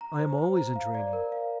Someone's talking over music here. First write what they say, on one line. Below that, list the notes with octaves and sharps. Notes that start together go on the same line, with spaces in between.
"I am always in training."
A#5
C5
C5
A#5
F5
D5
A#4
F5